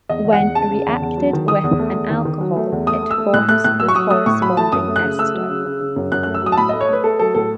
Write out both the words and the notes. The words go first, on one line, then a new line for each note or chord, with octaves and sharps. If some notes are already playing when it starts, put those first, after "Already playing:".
When reacted with an alcohol, it forms the corresponding ester.
E2 D#5
E2
F#5
E2
C#3 A5
C#3
E2
E2
F#3
D#3
D#3 D#6
E2
A3
E2
D#3
D#3
F#3
A3
E2
A3 D#6
A3
E6
A3
A2 F#6
A3 F#6
A2 F#6
F#3 E6
C#6
F#3 D#6
A3 D#6
A2 C#6
F#3 B5
A3 A5
F#2 D#6
A3
F#6
C#3
A3 E6
F#3
C#3
C#3
C#3
F#2
F#2 F#6
A3 F#6
E6
F#3 D#6
A5
A2 B5
A3 D#5
C#5
A3 B4
A3 A4
F#3 A4
A2 A4